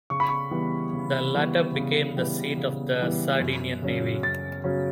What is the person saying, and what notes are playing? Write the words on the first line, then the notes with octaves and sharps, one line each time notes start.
The latter became the seat of the Sardinian Navy.
C#3 C#6
B5
C#6
E3 G3 B3
C#3
E3 G3 B3
C#3
E3 G3 B3
C#3
E3 G3 B3
F#2
C#3 F#3 C#4
F#2 A6
C#3 F#3 C#4